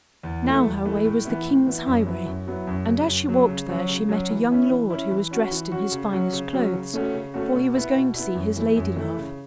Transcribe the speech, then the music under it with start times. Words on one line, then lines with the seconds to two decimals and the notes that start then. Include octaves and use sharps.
Now her way was the king's highway, and as she walked there she met a young lord who was dressed in his finest clothes, for he was going to see his lady love.
0.23 E2
0.44 E3 A3
0.64 E2
0.85 E3 A3
1.05 A2
1.25 E3 B3 E4
1.46 A2
1.67 E3 B3 E4
1.86 F#2
2.07 F#3 B3 E4
2.26 F#2
2.47 F#3 B3 E4
2.67 F#2
2.87 C#3 F#3
3.08 F#2
3.29 C#3 F#3
3.48 C#3
3.69 F#3 C#4 F#4
3.89 C#3
4.09 F#3 C#4 F#4
4.29 E3
4.51 C#4 E4
4.70 E3
4.90 C#4 E4
5.11 E3
5.31 C#4 F#4
5.51 E3
5.72 C#4 F#4
5.92 C#3
6.13 F#3 C#4 F#4
6.33 C#3
6.53 F#3 C#4 F#4
6.73 C#3
6.94 A3 C#4 F#4
7.14 C#3
7.34 A3 C#4 F#4
7.55 B2
7.74 B3 E4
7.95 B2
8.15 B3 E4
8.35 F#2
8.56 E3 A3 E4
8.76 F#2
8.96 E3 A3 E4
9.17 C#3